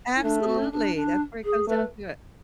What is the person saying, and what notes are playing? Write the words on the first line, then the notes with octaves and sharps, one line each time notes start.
Absolutely, that's where it comes down to it.
E4
A3 D4
G#4
F#4
C#4
D4
D4
G#4
A3 B4